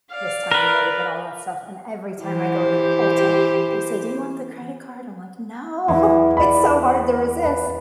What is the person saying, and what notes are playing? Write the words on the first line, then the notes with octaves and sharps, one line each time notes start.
this time of year to get all that stuff, and every time I go to Ulta, they say, "Do you want the credit card?" I'm, like, “No.” It's so hard to resist.
D5 F5
A#4 B4
E3 G4 C5
E2 E4
D5 B5
B4